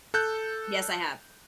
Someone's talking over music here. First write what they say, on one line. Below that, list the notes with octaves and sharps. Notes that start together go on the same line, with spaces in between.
Yes, I have.
A4 F#6 G6